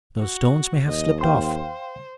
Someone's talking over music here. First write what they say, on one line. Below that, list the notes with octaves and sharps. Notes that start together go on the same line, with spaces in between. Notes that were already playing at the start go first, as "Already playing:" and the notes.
Those stones may have slipped off.
F#4
D#2 D#5
C5 F5 G5 C6